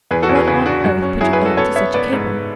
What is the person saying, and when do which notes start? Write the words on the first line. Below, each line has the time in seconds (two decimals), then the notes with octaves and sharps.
What on earth put you up to such a caper?
0.11 E2 G#4 B4
0.22 F#4 A4
0.29 E2
0.35 G#4 B4
0.47 C#3 G#4 B4
0.66 D4 F#4
0.84 F#2 F#4
1.02 C#4
1.21 F#3 E4 G#4
1.33 G#4 B4
1.39 C#4
1.45 F#4 A4
1.57 B3 A4 C#5
1.76 B3 C#5 E5
1.94 B3 B4 D5
2.13 G#2